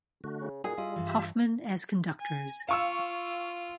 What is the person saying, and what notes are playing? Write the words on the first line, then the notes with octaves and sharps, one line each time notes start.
Hoffmann as conductors.
D3 A3 F#4
C#3
A#2 D#4 F#4 G#4
G3 E4 F4 D#5
G2 E3
G4 E5
G#5
F4 F5 C#6 E6